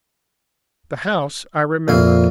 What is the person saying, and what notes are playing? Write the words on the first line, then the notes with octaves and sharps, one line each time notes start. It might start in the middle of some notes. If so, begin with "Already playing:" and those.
The house I remembered.
F2 A#2 E4 F5